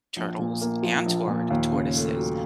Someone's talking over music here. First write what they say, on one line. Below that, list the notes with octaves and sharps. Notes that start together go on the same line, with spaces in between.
turtles and tort tortoises,
A#1
A#2
A#3
F3
A#1
A#2
D#2
C#3
A3
F#3